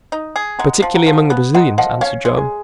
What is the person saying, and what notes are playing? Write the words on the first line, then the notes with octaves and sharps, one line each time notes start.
"Particularly among the Brazilians," answered Joam.
D#4
G#4
G#3 F#5 A#5
F3
F#5 A#5
F3
B3
G#3 F#5 A#5
F3 D#5 F#5
C#4 C#5 F5
G#3
G#4